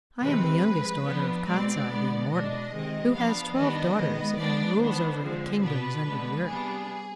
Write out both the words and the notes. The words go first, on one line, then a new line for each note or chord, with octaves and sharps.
I am the youngest daughter of Kostiei the immortal, who has twelve daughters and rules over the kingdoms under the earth.
C3 D#3 G#3 C4 B4
F3 G#3 C4
F3 B3 D4
B2 G#3 C4 D5
D3 G#3 B3
B2 G#3 D4 D#5
C3 D#3 G#3 C4
F3 B3 D4 F5
D#3 G3 B3 D4 D#5
D#3 G#3 B3
F3 G#3 B3 D4 D5
D#3 B3 D4 C5
D3 F3 G#3 C4
B2 B3 D4 B4
D3 G#3 B3 D4
C3 G3 B3 D4 G#4